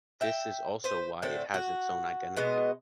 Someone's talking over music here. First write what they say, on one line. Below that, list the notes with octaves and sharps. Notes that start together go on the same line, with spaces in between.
This is also why it has its own identity.
E5 G5
B4 C5
A2 D3 C4 A4
F#4
B2 G#3 B3 D#5